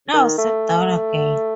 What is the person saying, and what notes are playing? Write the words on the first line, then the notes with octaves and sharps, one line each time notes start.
Now sit down again.
D#3
A3